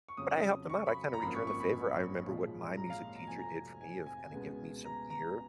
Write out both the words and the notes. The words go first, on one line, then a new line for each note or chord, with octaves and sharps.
But I helped him out, I kinda returned the favor. I remember what my music teacher did for me of kinda giving me some gear,
C#6
F2 C#3 F#3 D#6
C#6
B5
A#5
G#1 F#2 F3 A#3 B5
C#6
C#6
B5
B1 A#2 F3 G#3
A#5
F5
A#5
F1 F2 F3 G#5
A#5
G#5
G#5
C#2 B2 G#3 B3
A#5
A#5